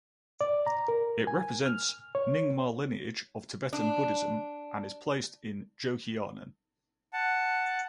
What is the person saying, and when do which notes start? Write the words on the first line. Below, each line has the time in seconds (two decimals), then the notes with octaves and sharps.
It represents Nyingma lineage of Tibetan Buddhism and is placed in Jokioinen.
0.41 D5
0.67 A#5
0.88 A#4
1.27 G#5
1.66 F6
2.15 C#5
3.73 D4
7.13 F#5 A5